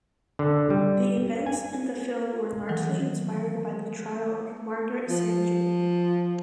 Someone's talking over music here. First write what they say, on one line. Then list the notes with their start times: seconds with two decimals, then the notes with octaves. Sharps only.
The events in the film were largely inspired by the trial of Margaret Sanger.
0.39 D3
0.70 G3
1.46 G#5
2.69 D#3 E3 F#3
5.09 F3